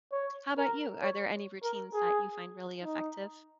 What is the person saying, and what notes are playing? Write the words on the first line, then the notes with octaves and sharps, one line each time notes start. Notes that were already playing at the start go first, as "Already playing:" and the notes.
How ‘bout you? Are there any routines that you find really effective?
C#5
A#4
C#5
A#4
G#4
D#4